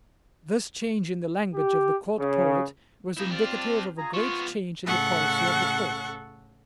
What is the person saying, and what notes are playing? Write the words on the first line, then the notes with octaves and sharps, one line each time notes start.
This change in the language of the court poet was indicative of a great change in the policy of the court.
G4
C#3
C2 A#3 D#4 E4
C4 D4 F4 G4
F4 G#4 A#5
F3 B3 F4 C#6
A2 C#3 A4 F#5 C#6 F#6